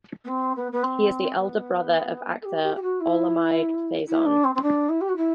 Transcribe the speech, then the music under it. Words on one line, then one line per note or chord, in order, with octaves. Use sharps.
He is the elder brother of actor Olamide Faison.
B3
C4
B3
B3
C4
B3
A4
G4
G4
G4
F#4
E4
E4
D4
C4
C4
D4
E4
G4
F#4
E4